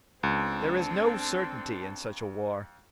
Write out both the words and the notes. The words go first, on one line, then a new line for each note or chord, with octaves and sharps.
There is no certainty in such a war.
C#2 C4 D4 A4